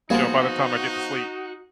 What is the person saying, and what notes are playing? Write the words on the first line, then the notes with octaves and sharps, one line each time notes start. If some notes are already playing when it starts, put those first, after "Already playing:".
you know, by the time I get to sleep.
F3 G3 A#3 B3 D#4 F#4 G#4